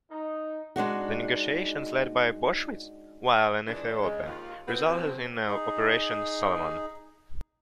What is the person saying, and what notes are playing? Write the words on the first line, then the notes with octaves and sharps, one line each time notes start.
The negotiations led by Boschwitz while in Ethiopia resulted in Operation Solomon.
D#4
G#3 D4 D#4 F#4
A#2 E3 G#3 D4
C#3 G#3
D#2 F4
B3 C4 E4 F#4 B4
B2 D3 F3 C4
D#4 G#4